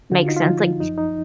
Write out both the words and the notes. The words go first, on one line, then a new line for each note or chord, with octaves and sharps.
Makes sense, like,
D3 F#4
F4
D#4
F4
F3
F#2 D#4
D#4